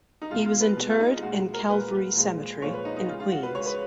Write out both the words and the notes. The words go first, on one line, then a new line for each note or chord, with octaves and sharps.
He was interred in Calvary Cemetery in Queens.
D#4
B2 G#3 F4
F4
B4
B2 G#3
F4
D#4
A#2 G#3 F#4
A#4
A#2 G#3 B4
A#2 F3 G#3
A#2 F3 G#3 C#5
B4
D#4
D#4
C#3 G#3 F4
F4
F#4
B4
C#3 G#3 C#5
B4